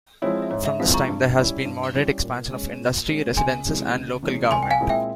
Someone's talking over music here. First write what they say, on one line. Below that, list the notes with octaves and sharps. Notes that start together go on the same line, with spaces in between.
From this time there has been moderate expansion of industry, residences, and local government.
F3 G#3 C4 E4 C#5
E5
G#2 C#5
E5
F3 G#3 C4 E4 F5
A#5 C#6
G2
G3 C#4 E4
G2
G3 C#4 E4
A#2
G#3 C#4
A#2
G#3 C#4
C#2 G#5 C6
C3 E3 G#3 C#4
C#2
C3 E3 G#3 C#4
C2 G#5 C6
G5
F5 G#5
A#2 G#3 C4 E4
E5 G5